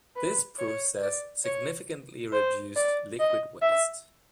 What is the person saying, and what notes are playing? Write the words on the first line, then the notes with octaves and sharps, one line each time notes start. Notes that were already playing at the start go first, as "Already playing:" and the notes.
This process significantly reduced liquid waste.
B4
C#5
D5
C#5
C5
D5
D#5
E5